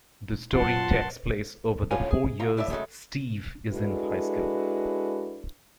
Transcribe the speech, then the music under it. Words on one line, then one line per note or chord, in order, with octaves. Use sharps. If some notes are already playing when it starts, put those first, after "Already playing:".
The story takes place over the four years Steve is in high school.
F#2 F4 F#5 A5 C6
C2 A2 C#4 F4 F5 G#5
G#4
C2 F4 A#5
C#2 A2 D5 E5
F#2 C#3 G#3 A3
G#3 D4 E4 F#4 A4 B4